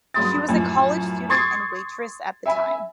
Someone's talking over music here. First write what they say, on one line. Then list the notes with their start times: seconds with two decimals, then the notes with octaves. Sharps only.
She was a college student and waitress at the time.
0.14 G2 F#3 G#3 C6 D#6 A6
0.49 F#2 A2 F3
1.30 C6 C#6 D#6 G#6 A6 C7
2.46 E5 G#5 B5